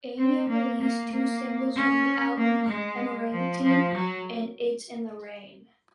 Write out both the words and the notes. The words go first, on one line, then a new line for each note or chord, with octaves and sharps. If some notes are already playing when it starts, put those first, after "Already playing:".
Enya released two singles from the album, "Amarantine" and "It's in the Rain".
C4
A#3
A#3
A#3
C#4
A#3
G#3
F3
F3
F#3